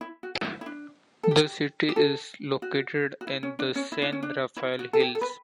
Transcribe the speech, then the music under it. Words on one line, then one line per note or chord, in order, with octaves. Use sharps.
The city is located in the San Rafael Hills.
E4
F#4
E4
E4
D4
A4
G4
G4
A4
F#4
F#4
E4
C#4
D4
C#4
E4
D4
C#4
D4
E4
F#4
A4
G4
A4
B4